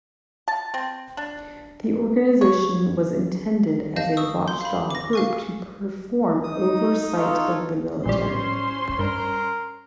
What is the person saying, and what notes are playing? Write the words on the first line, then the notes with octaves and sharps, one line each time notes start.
The organization was intended as a watchdog group to perform oversight of the military.
A5
C4
D4
C#5
D#5 F5 A5 G6 A#6
C#6 D#6 E6
C6 G6
F5 B5
D6 A#6
F5 G#5 C#6
D#4 D#6
F4 A4 C#5
A#1 A2 G3 C#4 C5 C6
G2 A#4